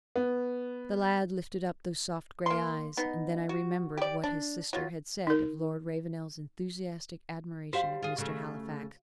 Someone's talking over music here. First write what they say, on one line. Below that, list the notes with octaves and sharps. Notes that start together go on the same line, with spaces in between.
The lad lifted up those soft grey eyes, and then I remembered what his sister had said of Lord Ravenel's enthusiastic admiration of Mr. Halifax.
B3
A#3 C6
B3 D#4
F#4
G4 D5
D4
F#3 F4
D#4 A#4
G3 F#4 C5 F5
F4 G#4
C#3 A3